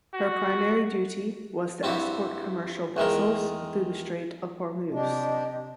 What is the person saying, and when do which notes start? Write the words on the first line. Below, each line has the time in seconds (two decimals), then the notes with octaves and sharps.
Her primary duty was to escort commercial vessels through the Strait of Hormuz.
0.13 F#4
1.83 G2 C4 E4 F#4 G4
2.97 E2 D#3 G#3 A#4
4.92 C3 D4 G4 D#5